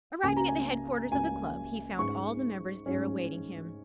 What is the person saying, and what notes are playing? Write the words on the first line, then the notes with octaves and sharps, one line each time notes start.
Arriving at the headquarters of the club, he found all the members there awaiting him.
C#2 C#3 A#3 C#4 G#5
A#5
G#5
C#2 C#3 A#3 C#4 G#5
G#2 G#3 C#4 C#6
G#2 G#3 C#4